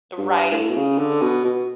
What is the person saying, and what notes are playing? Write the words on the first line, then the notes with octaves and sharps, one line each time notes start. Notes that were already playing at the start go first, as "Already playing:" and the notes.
Right, eh
G2
A2
B2
C#3
D3
B2
B2